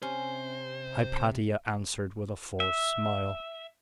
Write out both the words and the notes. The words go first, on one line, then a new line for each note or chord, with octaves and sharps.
Hypatia answered with a forced smile.
C3 C#4 C5
E5